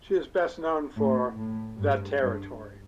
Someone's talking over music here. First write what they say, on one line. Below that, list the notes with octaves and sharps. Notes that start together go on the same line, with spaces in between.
She is best known for "The Territory".
A2
A2
G2
G2